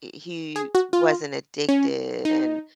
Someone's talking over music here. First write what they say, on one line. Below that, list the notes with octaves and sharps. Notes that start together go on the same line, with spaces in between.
he wasn't addicted and
G#4
F#4
F4
C#4
D#4